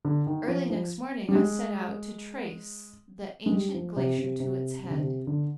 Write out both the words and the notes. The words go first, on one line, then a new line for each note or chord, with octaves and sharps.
Early next morning I set out to trace the ancient glacier to its head.
D3
D#3
F3
F3
G3
G#3
G#3
G3
F3
C3
C3
C3
C3
D3
C3
D3